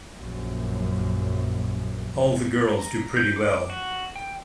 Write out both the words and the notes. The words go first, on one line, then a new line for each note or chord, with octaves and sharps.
All the girls do pretty well.
A#1 F#2
A#5
G6
D6
F#4
G5